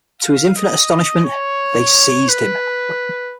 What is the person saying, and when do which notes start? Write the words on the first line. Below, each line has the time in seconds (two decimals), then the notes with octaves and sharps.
To his infinite astonishment, they seized him.
0.21 F5
0.56 D#5
1.24 C#5
2.29 B4